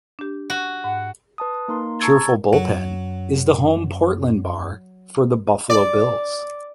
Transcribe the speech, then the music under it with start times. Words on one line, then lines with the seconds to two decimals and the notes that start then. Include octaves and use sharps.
Cheerful Bullpen is the home Portland bar for the Buffalo Bills.
0.19 D4 G4
0.50 F#4
0.84 G#2 F#5
1.38 B4 A5 D#6
1.68 A#3 D#4 A#4 C6
2.00 A5 A#5 C#6 E6 G#6 A6
2.53 F#2 F#3
5.70 D5